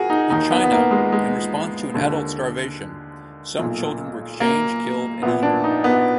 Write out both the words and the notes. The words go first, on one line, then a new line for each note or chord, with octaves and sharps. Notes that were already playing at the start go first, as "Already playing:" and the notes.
In China, in response to adult starvation, some children were exchanged, killed, and eaten.
Already playing: F#4 G#4 A#4
D#4
D#2 D#3 D#4
B3
B3
A#3
G#3
G#3
D#2 D3
B1 A#2
A#3
A#1 A#2 B3
D4
D#4
B3